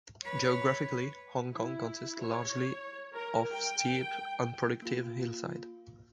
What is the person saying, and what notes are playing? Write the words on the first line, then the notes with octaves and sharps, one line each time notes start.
Geographically Hong Kong consists largely of steep, unproductive hillside.
B4 C#5
E4
C#5
A#4
G5
A#3 F4